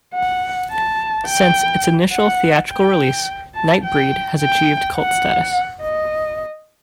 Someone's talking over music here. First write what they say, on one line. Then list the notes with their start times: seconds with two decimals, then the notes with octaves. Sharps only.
Since its initial theatrical release, "Nightbreed" has achieved cult status.
0.14 F#5
0.71 A5
1.27 G5
2.12 F#5
2.70 G5
3.55 A5
3.83 G5
4.41 G5
4.97 F#5
5.82 D#5